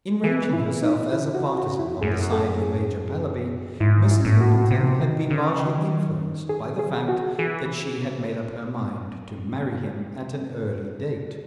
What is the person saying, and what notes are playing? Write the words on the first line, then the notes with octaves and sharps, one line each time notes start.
In ranging herself as a partisan on the side of Major Pallaby Mrs. Hoopington had been largely influenced by the fact that she had made up her mind to marry him at an early date.
E3 G#4
E4
D#4
E4
F#4
F#4
E4
F#2 G#4
A4
G#4
G#2 E4
E4
A2
F#4
C3
D#3
C#3
D#3
G#4
G#4
F#4
E3 G#4